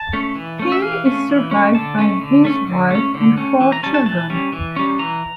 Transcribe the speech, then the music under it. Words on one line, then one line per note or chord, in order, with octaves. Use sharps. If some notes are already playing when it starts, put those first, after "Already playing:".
He is survived by his wife and four children.
Already playing: A5
A3 C#4
E3
A3 C#4
E5
E3 F5
A3 C#4
E3
C#4
A3
D3 A5
A3 C#4
D3
A3 C#4
D3
A3 C#4
D3
A3 C#4
E3
A#5
G3 C#4 A5
A5
E3 A5
G3 C#4
E3
G3 C#4
E3 A#5